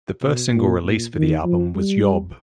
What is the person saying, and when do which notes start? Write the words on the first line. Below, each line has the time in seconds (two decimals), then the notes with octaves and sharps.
The first single released for the album was "Yob".
0.22 B2
0.53 A#2
0.84 A#2
1.15 D#3
1.45 F3
1.75 G3